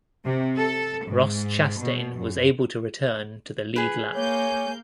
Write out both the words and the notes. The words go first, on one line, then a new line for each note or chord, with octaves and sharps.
Ross Chastain was able to return to the lead lap.
C3
A4
G#2
B2
F#2
G#4 B4
A#3 C#5 F5 G#5 D6 G6